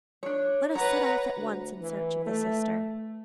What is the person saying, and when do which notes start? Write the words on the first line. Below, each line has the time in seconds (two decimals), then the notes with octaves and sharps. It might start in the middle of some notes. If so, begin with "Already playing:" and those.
Let us set off at once in search of the sister.
0.23 D4 C#5
0.75 B4 C#5 F#5 A#5
1.38 D2
1.81 E3
2.26 A3